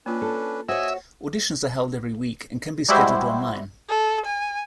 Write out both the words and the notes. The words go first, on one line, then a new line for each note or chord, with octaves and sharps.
Auditions are held every week and can be scheduled online.
A#3 C#4 D4 F4 B4
A4
F#4 C5 C#5 D#5 E5 G#5
G3 G#3 E4 F#4 G4 C5
A4
G#5